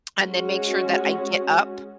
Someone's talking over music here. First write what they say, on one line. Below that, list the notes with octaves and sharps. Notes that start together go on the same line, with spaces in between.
and then make sure that I get up
G#3 C#4 F#4